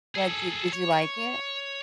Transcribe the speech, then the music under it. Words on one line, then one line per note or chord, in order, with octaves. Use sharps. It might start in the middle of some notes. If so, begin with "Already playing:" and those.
Yeah, did did you like it?
G#4 A4
C#5